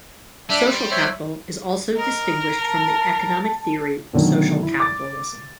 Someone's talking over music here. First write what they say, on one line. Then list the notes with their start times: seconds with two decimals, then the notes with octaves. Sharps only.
Social capital is also distinguished from the economic theory social capitalism.
0.50 G3 D4 E5
0.71 C6
0.91 C5 C#5 E5
1.97 A#4 D#5
2.59 A5
4.13 B2 D3 D#3 F#3 A3
4.63 E4
4.80 D6 A6